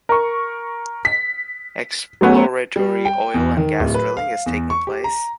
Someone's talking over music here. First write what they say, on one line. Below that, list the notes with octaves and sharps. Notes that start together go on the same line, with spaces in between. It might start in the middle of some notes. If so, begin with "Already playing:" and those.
Exploratory oil and gas drilling is taking place.
A#4 C#6
B6
F#3 A3 B3 C#4
G3
G5
E2
D#3
D1
B4
F5
E2
C#6
G4
A#5